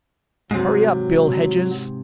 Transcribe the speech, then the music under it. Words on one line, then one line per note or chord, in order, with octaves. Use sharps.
"Hurry up, Bill Hedges!"
G#2 C3 F#3